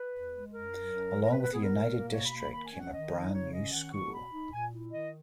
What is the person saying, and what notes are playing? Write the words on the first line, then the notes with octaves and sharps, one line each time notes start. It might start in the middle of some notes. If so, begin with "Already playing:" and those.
Along with a united district came a brand new school.
Already playing: B4
E2
G#3
F#2 A#4
F#3
F#2
G#3
A#4
D#3 B4
B4
B3 G#4
A#4
A#2
A#3
B2 C#5
B5
A#3
B5
D#3 B5
G#5
C#4
F#5
D#3 D#5
D#4
C#3 C#5
C#4 D#5
D#3 F#5
B3 C#6
B2 B5
D#4
A#2 G#5
E4
D#3 D#5